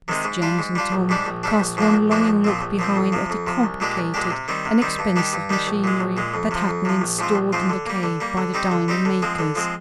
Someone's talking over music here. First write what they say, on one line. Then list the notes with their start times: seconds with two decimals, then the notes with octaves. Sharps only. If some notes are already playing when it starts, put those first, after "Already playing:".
Mr. Jenks and Tom cast one longing look behind at the complicated and expensive machinery that had been installed in the cave by the diamond makers.
0.08 C3 D#3 G#3 C4
0.24 G#2
0.42 G3 D4 F4
0.59 G#2
0.75 G3 D4 F4
0.92 A#1
1.09 G#2 G3 D4
1.26 A#1
1.43 G#2 G3 D4
1.60 A#1
1.77 G#2 F3 A#3 D4
1.94 A#1
2.11 G#2 F3 A#3 D4
2.28 A#1
2.44 A#2 F3 C4
2.62 A#1
2.79 A#2 F3 C4
2.96 F2
3.12 C3 F3
3.30 F2
3.47 C3 F3
3.64 C2
3.80 A#2 G#3 D4 G4
3.97 C2
4.14 A#2 G#3 D4 G4
4.31 C3
4.48 D#3 G3 C4
4.65 C3
4.82 D#3 G3 C4
4.99 G2
5.16 D#3 G3 D4 G4
5.33 G2
5.50 D#3 G3 D4 G4
5.67 A#1
5.84 A#2 G#3
6.00 A#1
6.17 A#2 G#3
6.34 F2
6.51 C3 F3
6.68 F2
6.85 C3 F3
7.02 A#1
7.19 G#2 F3 C4 F4
7.35 A#1
7.53 G#2 F3 C4 F4
7.70 D3
7.86 G3 A#3
8.03 D3
8.20 G3 A#3
8.37 D3
8.54 G3 C4 D#4 G4
8.71 D3
8.88 G3 C4 D#4 G4
9.05 D3
9.22 F3 G#3 C4
9.39 D3
9.56 F3 G#3 C4